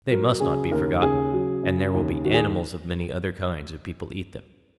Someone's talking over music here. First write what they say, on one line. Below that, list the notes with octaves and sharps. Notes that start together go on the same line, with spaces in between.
They must not be forgotten: and there will be animals of many other kinds, if people eat them.
F#3 A#4
C#3 G#4
D#2 A#4
C#3 G#4
F#3
C#3
D#2
D#3 F#4
G#4